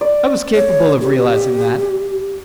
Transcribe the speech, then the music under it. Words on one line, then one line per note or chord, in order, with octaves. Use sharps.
I was capable of realising that.
D5
C#5
G4